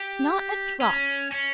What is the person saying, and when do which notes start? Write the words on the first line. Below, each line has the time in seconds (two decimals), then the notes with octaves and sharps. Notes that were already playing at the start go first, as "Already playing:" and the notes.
'Not a drop.
Already playing: G4
0.81 C#4
1.32 C#4